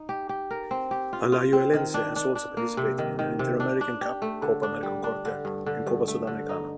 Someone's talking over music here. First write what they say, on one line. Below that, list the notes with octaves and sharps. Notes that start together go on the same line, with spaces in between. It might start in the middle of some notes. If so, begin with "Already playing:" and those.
Alajuelense has also participated in the Interamerican Cup, Copa Merconorte and Copa Sudamericana.
Already playing: D#4
G4
G4
A#4
C4
G4
F4
F4
C4
D#3
D4
D4
D4
A#3
C3
D#3
D#3
C3
D4
D4
G4
A3
D3
D4
G3
D4
D3
G2
D3
G2
A3
D3
D#4